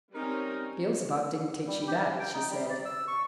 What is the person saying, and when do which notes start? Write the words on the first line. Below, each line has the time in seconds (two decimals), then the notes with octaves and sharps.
'Beelzebub didn't teach you that,' she said.
0.14 G3 C4 C#4 D#4 A#4
1.67 G3
1.87 G4
2.00 G3
2.19 G5
2.34 D#4
2.50 G3
2.70 D5
2.85 E6
3.07 C#6